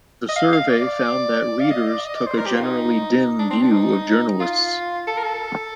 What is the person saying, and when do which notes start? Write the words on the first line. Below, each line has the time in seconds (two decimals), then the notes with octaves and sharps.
The survey found that readers took a generally dim view of journalists.
0.29 D#5
0.36 F5
0.53 F5
0.69 D5
1.61 F5
1.71 D#5
1.88 D5
2.05 D#5
2.15 D5
2.27 C5
2.37 A#4
2.46 G4
2.55 F4
2.63 D#4
3.39 D4
3.50 C4
3.62 D4
3.72 D#4
4.40 F4
5.07 A4
5.18 A#4
5.24 A4